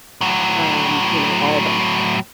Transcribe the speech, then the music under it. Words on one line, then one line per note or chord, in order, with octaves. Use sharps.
um, you know, all the
A2 F#3